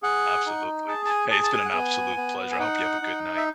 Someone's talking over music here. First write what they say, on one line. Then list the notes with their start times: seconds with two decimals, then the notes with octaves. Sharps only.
Absolutely. Hey, it's been an absolute pleasure. I hope you have a good night.
0.03 G#4 F#5
0.46 D#4
0.88 G#4 A5
1.06 A5
1.10 G#5
1.31 G#4 A5
1.43 A5
1.52 G#5
1.65 F#5
1.74 B3 G#5
2.17 B3
2.51 G#5
2.60 D#4 F#5
3.02 D#4
3.37 E5